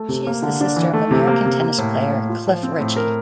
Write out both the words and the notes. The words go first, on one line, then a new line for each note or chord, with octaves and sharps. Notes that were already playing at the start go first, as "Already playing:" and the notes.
She is the sister of American tennis player Cliff Richey.
Already playing: A3
C3
A#3
D3
D4
E3
A3
C3
A#3
C3
A#3
A2
A#3
A2
F4
F3
C4
A2
A#4